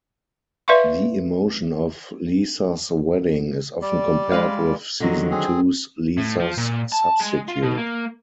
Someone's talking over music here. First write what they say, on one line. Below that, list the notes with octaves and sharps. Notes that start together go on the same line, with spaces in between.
The emotion of "Lisa's Wedding" is often compared with season two's "Lisa's Substitute".
B4 D5 E5 F5 C6 C#6
G3 D5
G#3 B4 F5
D3 D#3 F#3
C4 G#4
A2
F3
A#2
A5
G#3
F4
B2
A#3